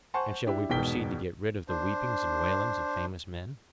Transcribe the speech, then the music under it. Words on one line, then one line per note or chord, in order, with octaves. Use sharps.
And shall we proceed to get rid of the weepings and wailings of famous men?
C5 F#5 G#5 A5 C6 C#6
D4 E4 G4 E5
E1 G#2 B2 G5 B6 G7
D4 C5